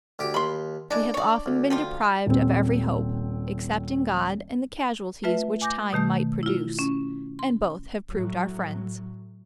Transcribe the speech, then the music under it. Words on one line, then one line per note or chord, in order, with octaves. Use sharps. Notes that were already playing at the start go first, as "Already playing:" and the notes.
We have often been deprived of every hope, except in God and the casualties which time might produce, and both have proved our friends.
D2 G4 G5
D#2 B5 C6
G#3 D4 E4
C#5 D5
D2
F3 G3 F4
D#1 C4
A3 F4 B4 E5
G#5 D6 G6 A#6
B2 D#3 A3 G6
E4 F4
C#4
C6
A2 F#3